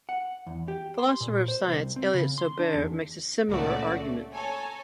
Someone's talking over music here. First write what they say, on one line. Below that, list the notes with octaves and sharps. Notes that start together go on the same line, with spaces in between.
Philosopher of science Elliott Sober makes a similar argument.
F#5
E2
G4
C6
A#2
C5
C2
C4
C#3
C6
D4
E2
C#2 A#2 C#3 A3 F#4 D5
A3
A4 C#5 G#5 A#5